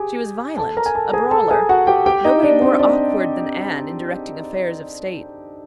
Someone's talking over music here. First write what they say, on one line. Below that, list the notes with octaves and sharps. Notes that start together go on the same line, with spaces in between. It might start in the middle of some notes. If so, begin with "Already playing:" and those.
She was violent, a brawler. Nobody more awkward than Anne in directing affairs of state.
Already playing: G4 G#4 G#5
A4 A5
A#4 A#5
G#5
A4 A5
G#4 G#5
A4 A5
G#4 G#5
F#4 F#5
G4 G5
G4 G5
D#4 D#5
D4 D5
C4 C5
D4 D5